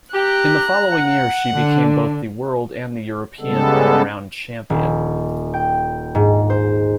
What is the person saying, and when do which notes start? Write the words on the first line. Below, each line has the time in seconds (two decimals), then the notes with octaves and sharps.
In the following year she became both the World and the European All-Around champion.
0.13 G4 A#5 F#6
0.92 F#5
1.53 D3 D4
3.41 C#3 G3 G#3 B3 A4
4.70 D#1
5.54 G5
6.15 G#2
6.50 C5